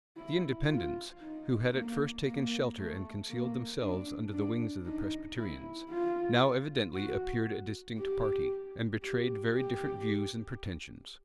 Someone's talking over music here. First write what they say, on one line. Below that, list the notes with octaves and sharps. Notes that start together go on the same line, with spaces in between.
The Independents, who had at first taken shelter and concealed themselves under the wings of the Presbyterians, now evidently appeared a distinct party, and betrayed very different views and pretensions.
E4
F4
D#4
A#3
A#3
A3
A#3
D4
D4
D#4
E4
F4
F#4
G4
G4
G4